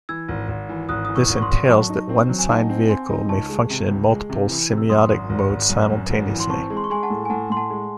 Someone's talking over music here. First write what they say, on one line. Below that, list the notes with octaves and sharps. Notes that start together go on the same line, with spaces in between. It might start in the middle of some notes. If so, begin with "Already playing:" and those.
This entails that one sign-vehicle may function in multiple semiotic modes simultaneously.
E3 E6 G#6
G#1
G#1
E3
G#1 D#6 F#6
E3 D#6
C#6 E6
G#1
C#6
C6 D#6
G#1
F#3 A5 C#6
D#4
C4
F#3
G#5
D#4 F#5 A5
C4
C4 G#5 C6
D#4
C#2 A5 C#6
G#3
C3
C#2
G#3
C3
E3
C3
E6
F#2 C6 D#6
G#1
G#1
G#1
F#2
F#2
G#1
E3
C6
C4 A5 C#6
G#3
C6
C#6
G#3 G#5 C6
F#5 A5
A2
G#5
A2 F#5 A5
A2 C6
F#5 A5
G#3